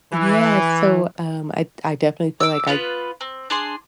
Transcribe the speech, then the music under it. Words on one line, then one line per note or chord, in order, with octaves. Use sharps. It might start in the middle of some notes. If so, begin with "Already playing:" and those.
yeah, so, um, I d I definitely feel like I
E3
D6 E6
B3 F4 B4
C4
D4 G#4 C6